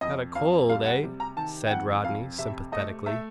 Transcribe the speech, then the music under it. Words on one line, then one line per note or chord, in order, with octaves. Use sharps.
"Got a cold, eh?" said Rodney sympathetically.
F2 D#5
F2 F5
G3 F5
F#5
C3
A#5
D#3 A5
G5
F2 F#5
F2 F5
C3 E5
A3 D#5
A3 E5